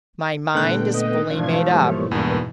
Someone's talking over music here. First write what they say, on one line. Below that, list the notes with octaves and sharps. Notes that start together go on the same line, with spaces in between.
"My mind is fully made up."
A#2 D3 A3 B3 G5 F#6
D#5
G#2 B2 E3 F3 A3 D4 F5 G#6
G3 A#3 C#5
E2 G2 A#3 B4